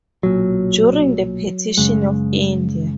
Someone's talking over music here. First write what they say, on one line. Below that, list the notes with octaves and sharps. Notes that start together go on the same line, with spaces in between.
During the partition of India.
B1 A#2 F#3
F#1 F#2 C#3 G#3